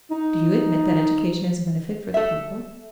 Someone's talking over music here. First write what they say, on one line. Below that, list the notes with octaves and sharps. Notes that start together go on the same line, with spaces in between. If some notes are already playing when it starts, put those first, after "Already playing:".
"Do you admit that education is a benefit for the people?"
D#4
A4 E5